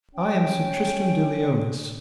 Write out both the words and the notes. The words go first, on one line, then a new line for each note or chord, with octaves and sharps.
I am Sir Tristram de Liones.
C#4 G5